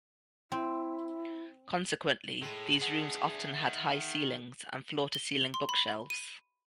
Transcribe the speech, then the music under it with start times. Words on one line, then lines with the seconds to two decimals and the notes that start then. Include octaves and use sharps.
Consequently, these rooms often had high ceilings and floor-to-ceiling bookshelves.
0.52 C4 E4
2.42 A2 G#3
2.82 D4 G#4 E5 F#5
3.59 D#3
5.15 G7
5.54 C6
5.69 B5
6.10 D#7